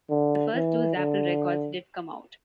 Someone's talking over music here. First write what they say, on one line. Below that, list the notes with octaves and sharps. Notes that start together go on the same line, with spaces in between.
The first two Zapple records did come out.
D3
E3
D3